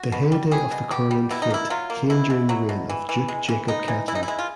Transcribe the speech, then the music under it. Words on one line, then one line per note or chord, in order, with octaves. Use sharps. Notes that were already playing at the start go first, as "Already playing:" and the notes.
The heyday of the Courland fleet came during the reign of Duke Jacob Kettler.
Already playing: F#4
B2
G3
G3 G#4
B2
B2 G4
G3
B2 E4
D#4
A#3 E4
F#3 F4
A#3
B2 E4
B2
F#3
B2
E3
E3
G#3
E3
B3 D#4
E3
E3 E4
D#4
E4
G#3
F4